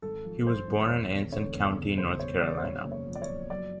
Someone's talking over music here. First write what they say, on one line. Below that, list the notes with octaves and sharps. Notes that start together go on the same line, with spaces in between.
He was born in Anson County, North Carolina.
G#1 A4
F3
F3 C5
G#1
C5
E1 C#5
E1
D3 C#5
E1
C#3
C#3 C5
C#3 C#5
C#3 D5
C5
C#3 C#5
F#1
C#5
F3
D5
C#5
F#1
F#3 D5